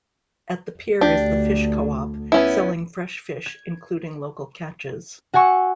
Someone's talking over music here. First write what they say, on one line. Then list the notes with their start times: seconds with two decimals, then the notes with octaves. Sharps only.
At the pier is the fish co-op, selling fresh fish, including local catches.
1.01 D2 D4 G4
2.32 B3 C#4 E4
3.46 G#6
5.34 F#4 F#5 G#5 C#6 E6